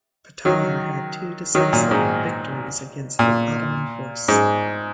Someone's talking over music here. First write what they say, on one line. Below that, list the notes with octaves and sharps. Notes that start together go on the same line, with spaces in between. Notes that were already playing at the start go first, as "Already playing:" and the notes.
Petar had two decisive victories against the Ottoman force.
D#3 F#3
D#3 F#3
A#2
G#2
A#2
G#2